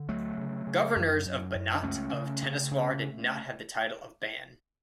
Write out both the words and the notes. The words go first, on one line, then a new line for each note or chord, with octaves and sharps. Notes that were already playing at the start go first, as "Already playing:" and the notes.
Governors of Banat of Temeswar did not have the title of "ban".
Already playing: D3
D2 F#3 A3
C#3
C#3
F#2
F#2
F#2
D4
C#2 A3 C#4
C#3
C#3
C#3